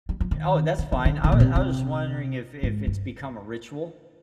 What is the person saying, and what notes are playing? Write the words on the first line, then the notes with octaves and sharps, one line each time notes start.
Oh, that's fine. I wa I was just wondering if if it's become a ritual
G3
F3
D#3
D3
D#3
D3
D3
A#2
C3
C3
G#2
G2